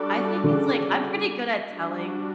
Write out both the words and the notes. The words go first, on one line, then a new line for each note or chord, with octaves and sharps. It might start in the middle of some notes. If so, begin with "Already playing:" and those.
I think it's, like I'm pretty good at telling,
Already playing: G3 D4 F#4 A4 D5
D3
C#3
G3 D4 F#4